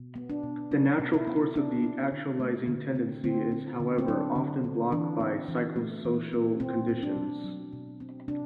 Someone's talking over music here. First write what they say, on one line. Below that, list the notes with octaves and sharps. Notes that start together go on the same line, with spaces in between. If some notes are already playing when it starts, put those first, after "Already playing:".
The natural course of the actualising tendency is, however, often blocked by psychosocial conditions.
Already playing: B2
B3
D4
B2
F#3 D4
B2
E4
B3
D3 D4
C4
D3
A3
D3
C4
D3 C4
C4
D3
C4
F#3 D4
D3
C4
E3 D4
C4
E3
A3
E3
C4
B2 C4
C4
D4
B2
F#3
B2
C4
C3 D4